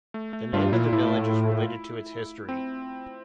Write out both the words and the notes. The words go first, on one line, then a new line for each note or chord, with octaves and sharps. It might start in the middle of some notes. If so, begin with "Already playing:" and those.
The name of the village is related to its history.
A3
A3
G2 F4
A#2 E4
A2 E4
C4